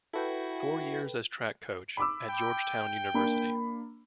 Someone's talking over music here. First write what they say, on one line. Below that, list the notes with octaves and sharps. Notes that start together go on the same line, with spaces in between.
Four years as track coach at Georgetown University.
E4 F#4 A4 B4 G5
B5 D6 E6
G5
A#3 D4 B5